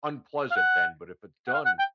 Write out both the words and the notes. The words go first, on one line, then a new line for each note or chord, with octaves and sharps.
unpleasant then, but if it's done
F5
F#5
F#5
F5
F#5
G5